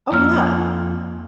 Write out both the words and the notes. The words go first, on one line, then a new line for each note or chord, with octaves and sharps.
Oh, yeah.
F2 A#3 E6 F6